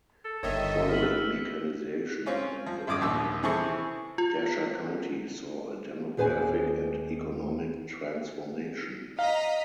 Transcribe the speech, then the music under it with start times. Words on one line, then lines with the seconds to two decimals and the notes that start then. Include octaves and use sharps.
Following mechanization on the farm, Desha County saw a demographic and economic transformation.
0.25 A4
0.43 G1 D#3 C#5 D#5 E5
0.89 F6 B6 F#7
1.02 B4 E6 F6
2.26 C4 C#4 F4
2.67 F3
2.87 G#1 F#2 D6 D#6
3.01 A#1 D#2 E6
3.43 C3 E3 G#4 A4 C5 C#6
4.18 F4
6.17 D#2 G#4 B4 C5 G#5
9.19 D#5 F5 A#5 B6